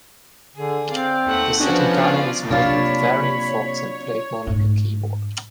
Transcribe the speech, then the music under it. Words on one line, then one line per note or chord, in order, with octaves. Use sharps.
The setinkane is made with varying forks, and played more like a keyboard.
D3 G#4
C4 D5 F5
D#2 A3 F#5
F3 B3 C#4 D4 F#4 G4
F4 D5
C3 F#3 A#3 D4 F4 C#5 B5
G#2 A3